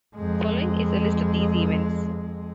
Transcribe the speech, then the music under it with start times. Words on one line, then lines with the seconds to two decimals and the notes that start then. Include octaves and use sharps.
Following is a list of these events.
0.16 F2 G#3